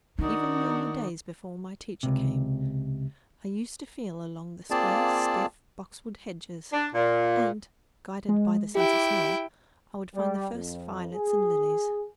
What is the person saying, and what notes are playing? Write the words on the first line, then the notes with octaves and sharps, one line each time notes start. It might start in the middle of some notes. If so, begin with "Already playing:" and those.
Even in the days before my teacher came, I used to feel along the square stiff boxwood hedges, and, guided by the sense of smell would find the first violets and lilies.
D#3 D4 D#4 F#4 A#4
C#2 C3
A#3 C4 F4 G#4 D5 A5
D4
A#2
G#3
E4 G4 G5
G3
F2
G#4